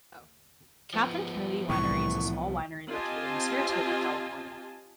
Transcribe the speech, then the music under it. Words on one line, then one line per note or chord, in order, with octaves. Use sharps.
Kathryn Kennedy Winery is a small winery located in Saratoga, California.
F3 B3
C2 A2 E3 C#6
C4 F4 G4 D#5 G#5 A5